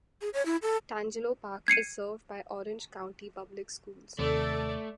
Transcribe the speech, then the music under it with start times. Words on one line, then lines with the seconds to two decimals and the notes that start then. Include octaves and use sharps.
Tangelo Park is served by Orange County Public Schools.
0.21 G#4
0.34 C#5
0.46 E4
0.62 A4
1.68 G#6 C7 C#7 D#7
4.19 D#2 C3 D#3 A3 A4 D5